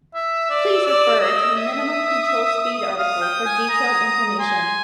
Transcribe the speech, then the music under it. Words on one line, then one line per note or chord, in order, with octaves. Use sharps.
Please refer to the minimum control speed article for detailed information.
E5 E6
D5
D5
D#5
E5 D#6
F5 D#6
G5
G#5
A#5
G#5 C6